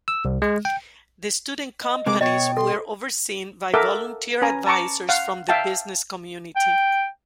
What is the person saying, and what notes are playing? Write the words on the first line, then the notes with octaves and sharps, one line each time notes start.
The student companies were overseen by volunteer advisers from the business community.
E6
C2
G#3
G5
D#5
C3 G#3 A#3 D6
B2 C#5 D#5 G5
A4 C6
A4 A#4 E5 F#5 D6
C#4 B4 G#5 A#5
A5 A#5 C#6 D6
F5 F#5
E5 F5 G5 A5
G5